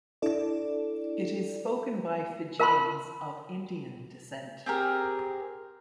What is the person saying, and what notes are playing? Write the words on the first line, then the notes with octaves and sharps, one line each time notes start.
It is spoken by Fijians of Indian descent.
D4 E4 A4 D5
A#4 F5 A5 B5 C6
C4 G4 G#4 A#4